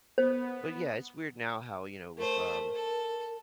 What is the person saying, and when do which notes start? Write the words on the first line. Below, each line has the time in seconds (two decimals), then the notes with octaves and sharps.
but, yeah, it's weird now how, you know, with, um,
0.18 B3 C5
2.18 A3 A#4 C5
2.75 A4